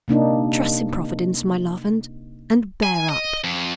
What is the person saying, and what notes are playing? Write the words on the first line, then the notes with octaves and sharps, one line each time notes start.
Trust in Providence, my love, and--and bear up.
C3 A#3 D4 D#4
G#5
D#5
F2